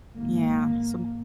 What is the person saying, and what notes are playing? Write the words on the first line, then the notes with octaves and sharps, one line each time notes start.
yeah, so
G#1 G#2 A#3